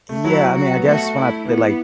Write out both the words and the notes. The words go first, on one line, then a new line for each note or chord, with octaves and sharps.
Yeah, I mean, I guess when I play, like,
A3
F#3 E4
F#4
B3
A3 F#4
E4
E3 B3